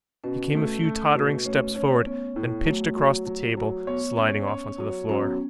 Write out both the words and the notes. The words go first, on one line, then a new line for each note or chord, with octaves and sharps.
He came a few tottering steps forward, then pitched across the table, sliding off onto the floor.
B2 C#4
A3
A3
B2
A3 C#4
C#4
B3 C#4
A2
F#3 A3
F#3
F#3
F#3
B3 C#5
C#4
C#5
F#3
F#3 C#4
B3
C#4